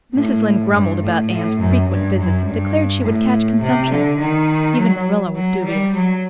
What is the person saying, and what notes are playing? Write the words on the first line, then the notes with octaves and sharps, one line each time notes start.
Mrs. Lynde grumbled about Anne's frequent visits, and declared she would catch consumption; even Marilla was dubious.
A2
G2
A2
A2
F#2
G2
F#2
G2
A2
C3
D3
D#3
F#3
F#3
G3
F#3